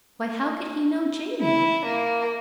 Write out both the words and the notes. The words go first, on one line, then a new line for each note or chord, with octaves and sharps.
"Why, how could he know Jamie?"
E4
A#3